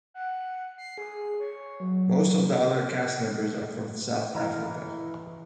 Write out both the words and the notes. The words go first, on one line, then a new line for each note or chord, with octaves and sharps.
Most of the other cast members are from South Africa.
F#5
C7
G#4
C#5
F#3
A#4 D#5
E3 E4 D#5 F#5 A#5 F6